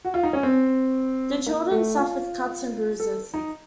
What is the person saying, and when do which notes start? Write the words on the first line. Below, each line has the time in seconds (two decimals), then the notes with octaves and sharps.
The children suffered cuts and bruises.
0.05 F#4
0.14 F4
0.23 D#4
0.33 C#4
0.43 C4
1.46 A#3
1.71 A3
1.97 F4
3.00 A4
3.34 D#4